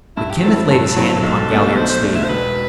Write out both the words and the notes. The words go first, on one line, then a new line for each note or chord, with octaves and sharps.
But Kenneth laid his hand upon Galliard's sleeve.
G2 E4
G4
F#3 C4 E4 A4
A4
G2
F#3 C4 E4
B1
B2 A3 D4
B1 C5
C5
B2 A3 D4
E4
C5
E1 B4